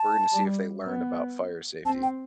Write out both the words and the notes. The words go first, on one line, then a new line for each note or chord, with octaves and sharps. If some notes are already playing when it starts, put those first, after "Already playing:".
we're going to see if they learned about fire safety,"
Already playing: A5
G3
B3
C4 A5
G5